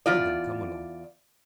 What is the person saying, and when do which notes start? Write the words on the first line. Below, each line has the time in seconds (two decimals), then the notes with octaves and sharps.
"Well, then, come along."
0.06 E2 F4 D5